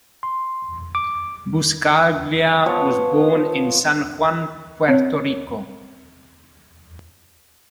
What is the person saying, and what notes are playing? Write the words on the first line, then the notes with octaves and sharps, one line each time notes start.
Buscaglia was born in San Juan, Puerto Rico.
C6
D6
F3 B3 C#5
C4 C#5